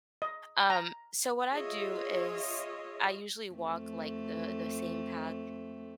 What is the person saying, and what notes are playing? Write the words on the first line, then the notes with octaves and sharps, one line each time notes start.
Um, so what I do is I usually walk, like, the the same path
D#5
A#5
F4 G#4 C#5 D#5 E5
F2 A3